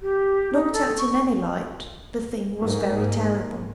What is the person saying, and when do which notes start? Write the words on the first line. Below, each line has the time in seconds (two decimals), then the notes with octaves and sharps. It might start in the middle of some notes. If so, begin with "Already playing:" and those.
Looked at in any light, the thing was very terrible.
0.02 G4
0.52 D#4
0.73 A4
0.98 C#6
2.58 G#2 A#3